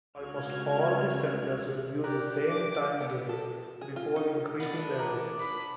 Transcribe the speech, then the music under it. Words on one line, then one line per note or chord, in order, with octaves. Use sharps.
Almost all the senders will use the same time delay before increasing their rates.
C#2 C#3 F#4 F6 G#6
G4 A#4 D5 F#6
D6
B3
A4
G#4
F4
D#4
B3 D4
A#5 D6
B5